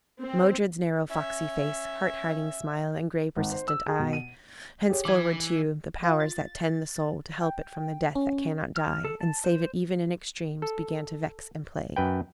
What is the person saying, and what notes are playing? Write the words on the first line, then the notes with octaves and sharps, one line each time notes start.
"Modred's narrow foxy face, Heart-hiding smile, and gray persistent eye: Henceforward, too, the Powers that tend the soul To help it from the death that cannot die, And save it even in extremes, began To vex and plague."
C4
C#4 E5
G#1
C5
E6
G#4
B2
D#7
G4 G#4 C#5
E3 D6 G#6
F4
A6
G5
C#4
F6
A4
A5
C5
A4
F#2 B4 G5